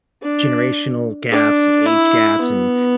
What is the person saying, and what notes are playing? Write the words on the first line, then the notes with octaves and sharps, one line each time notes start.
generational gaps, and age gaps, and,
D4
D4
E4
B3